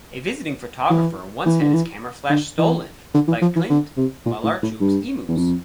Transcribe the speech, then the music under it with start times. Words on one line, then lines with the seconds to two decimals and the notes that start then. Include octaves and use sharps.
A visiting photographer once had his camera flash stolen by Clint Malarchuk's emus.
0.90 E3
1.46 E3
1.61 D3
1.73 E3
2.29 D3
2.58 E3
3.14 D3
3.28 E3
3.42 F3
3.56 E3
3.70 D3
3.97 C3
4.26 A#2
4.44 A2
4.62 A2
4.81 G2
5.28 E2
5.37 F2